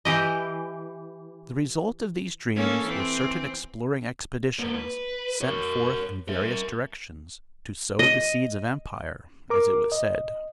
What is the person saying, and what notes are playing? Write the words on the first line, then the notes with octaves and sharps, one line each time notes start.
The result of these dreams were certain exploring expeditions sent forth in various directions to "sow the seeds of empire," as it was said.
E3 G4 D#5
A#3 C#4 A4
E3 C4
A#3 B3
B4
A#4 C#5
A#4 E5
D#5
A#4 D6
D#5